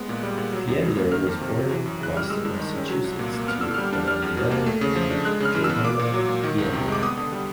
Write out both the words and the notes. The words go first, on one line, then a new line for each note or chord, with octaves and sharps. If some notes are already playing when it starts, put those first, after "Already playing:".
Fiedler was born in Boston, Massachusetts to Emanuel and Johanna Fiedler.
Already playing: G#3 B3
A#2
G3
A#2
F#3
E2
C#3
A#3
D#3 F6
F2
C3
F#3
E3
F#2
C#3 F#6
G3 F6
G#3 E6
G2
D#3
C#4
F#3
C2
A#2
A#3
B3 F6
D3 E6
G3 F6
D4
G3 F6
E2
B2
A#3
A3
C#3
F3
D4
G#3 F#6
C#3 F6
E3
E6
B3
A#3 D6
A#2
F#3
A#2
D#3
C2
C3
G#3 D6
B3 D#6
D3
G3